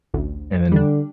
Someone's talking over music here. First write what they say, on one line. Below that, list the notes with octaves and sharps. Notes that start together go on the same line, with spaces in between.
and then
A1 D2
D3 G3 D4